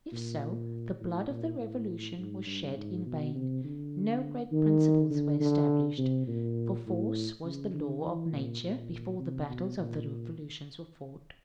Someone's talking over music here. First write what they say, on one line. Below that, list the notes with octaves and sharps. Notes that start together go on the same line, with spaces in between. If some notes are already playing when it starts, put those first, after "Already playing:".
If so, the blood of the Revolution was shed in vain; no great principles were established; for force was the law of nature before the battles of the Revolution were fought.
A#2
A2
A#2
A2
G#2
G2
G#2
B2
C3
D3
D#3
D3
D3
C3
A#2
A2
C#3
D3
E3
A#2
A#2
C3
B2
A#2